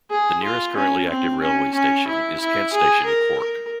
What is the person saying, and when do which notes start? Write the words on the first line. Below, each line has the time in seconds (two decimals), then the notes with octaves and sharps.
The nearest currently active railway station is Kent Station Cork.
0.11 G#4
0.44 F4
0.77 C#4
1.09 C4
1.42 C#4
1.75 C#4
2.08 E4
2.41 E4
2.73 G#4
3.06 A#4
3.39 A#4